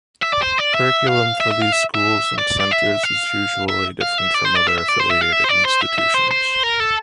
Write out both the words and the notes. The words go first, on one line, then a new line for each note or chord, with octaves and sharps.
Curriculum for these schools and centers is usually different from other affiliated institutions.
E5
D5
C5
D5
E5
F5
E5
E5
F5
E5
E5
D5
D5
E5
F5
E5
F5
E5
D5
C5
D5
E5
E5
D5
C5
E5
F5
E5
C5
D5
C5
E5
E5
C5
C5
A#4
A4